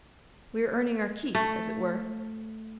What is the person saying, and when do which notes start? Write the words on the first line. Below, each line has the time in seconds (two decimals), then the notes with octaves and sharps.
"We are earning our keep as it were."
1.35 A3